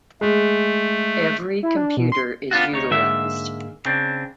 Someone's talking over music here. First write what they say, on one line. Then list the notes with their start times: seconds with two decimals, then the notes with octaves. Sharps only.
Every computer is utilized.
0.21 G#3 A3
1.63 E4
1.76 D4
1.97 B2
2.12 C6
2.51 B3 D4 F4 F#4
2.72 D2 D#4 C#5
2.91 G#2 D3 G#3 A#3 E5
3.85 C#3 C4 D4